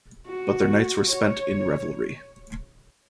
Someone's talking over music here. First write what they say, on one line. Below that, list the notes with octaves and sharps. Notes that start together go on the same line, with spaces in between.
But their nights were spent in revelry.
F#4
C#5